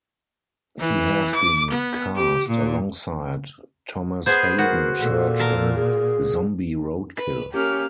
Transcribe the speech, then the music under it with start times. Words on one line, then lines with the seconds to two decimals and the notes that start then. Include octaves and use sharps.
He has been cast alongside Thomas Haden Church in "Zombie Roadkill".
0.79 E3
1.34 D6
1.70 B3
2.16 G4
2.48 A#2
4.26 B3 G#4 C5
4.58 F#4 A#4
5.01 A#2 A4
5.39 A#4 A5
5.75 G#4
7.17 B4
7.53 A#3 C#4 G4 F6